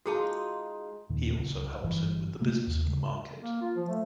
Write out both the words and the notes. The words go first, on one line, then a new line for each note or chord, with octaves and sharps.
He also helps him with the business of the market.
G#3 D#4 F4 F#4 G#4 A5
D#2 A#2 D#3
D1 C#2
G1 G2 E3
C3 A3 A#3
D#2
C#3 G#3
A#3
F4
F3
A3